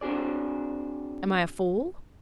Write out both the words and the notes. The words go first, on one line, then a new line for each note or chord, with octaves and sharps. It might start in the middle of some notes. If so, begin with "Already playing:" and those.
"Am I a fool?"
C4 D4 F#4 G#4 D5